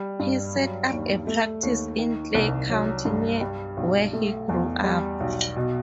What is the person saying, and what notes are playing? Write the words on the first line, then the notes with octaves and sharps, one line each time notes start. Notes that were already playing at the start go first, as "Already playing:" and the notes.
He set up a practice in Clay County near where he grew up.
Already playing: G3
G2
F#3
D#2
A3
D#2
D#3
C2
F#3
G2
G3
B1
A3
E2
G3
B1
B2